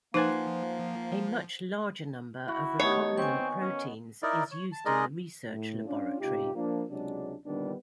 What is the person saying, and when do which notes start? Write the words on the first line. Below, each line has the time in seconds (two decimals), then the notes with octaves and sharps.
A much larger number of recombinant proteins is used in the research laboratory.
0.14 F3 A#3 D#4 B4 C5 F#5 G#5
2.48 E4 F#4
2.80 D#3 A3 B3 G4 C#5
3.18 C4 G#5 C#6
3.61 C#4
4.23 D#4 E4 A#4 D5
4.51 C#5
4.72 A5
4.85 G#3 D#4 G#4 A#4 D5 D#5
5.50 A2
5.85 C#4 D4 F4
6.19 C#2 C3 D#4 F4 G4
6.54 F3 A#3 D4
6.90 C#2 C3 F#3 G#3 D4
7.46 A#2 D3 D#3 G3 B3 D4